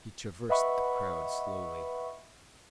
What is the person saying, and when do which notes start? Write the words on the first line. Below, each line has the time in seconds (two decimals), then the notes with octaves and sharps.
He traversed the crowd slowly.
0.49 B4 D#5 E5 F#5 B5 C#6